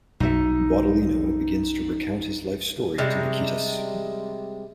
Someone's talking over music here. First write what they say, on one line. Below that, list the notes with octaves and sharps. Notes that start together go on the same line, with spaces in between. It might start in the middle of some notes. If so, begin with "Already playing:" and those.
Baudolino begins to recount his life story to Niketas.
B1 F#3 D#4 A4 E5
C3 G3 G#3